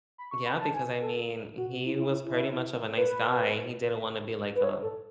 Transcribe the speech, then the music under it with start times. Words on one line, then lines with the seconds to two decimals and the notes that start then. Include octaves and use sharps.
Yeah, because I mean, he was pretty much of a nice guy, he didn't wanna be like, uh,
0.18 B5
0.31 C#6
0.46 B5
0.60 A5
0.74 G#5
1.01 A4
1.57 F#4
1.86 E4
1.99 E4
2.13 E4
2.27 E4
2.97 B4
4.55 B4
4.64 C#5
4.82 A4